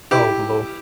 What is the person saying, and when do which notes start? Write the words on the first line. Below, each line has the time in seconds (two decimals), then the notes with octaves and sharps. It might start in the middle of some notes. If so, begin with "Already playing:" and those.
Oh, hello.
0.11 E4 G4